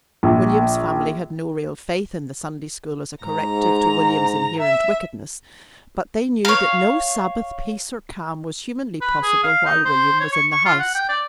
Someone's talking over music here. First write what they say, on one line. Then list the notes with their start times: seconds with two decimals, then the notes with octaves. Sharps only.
William's family had no real faith in the Sunday-school as a corrective to William's inherent wickedness, but they knew that no Sabbath peace or calm was humanly possible while William was in the house.
0.23 A#1
3.23 G#2 A#5
4.58 E5
6.45 C#5 F5
9.01 B4
9.23 G#4
9.44 F5
9.66 D#4
9.85 C5
10.20 C#5
10.33 C#6
10.52 C#6
10.65 F4
10.79 F#5
10.95 G5
11.09 D5